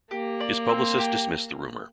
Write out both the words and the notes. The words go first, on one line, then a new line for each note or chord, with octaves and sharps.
His publicist dismissed the rumor.
A#3 G4
D5
C4
G4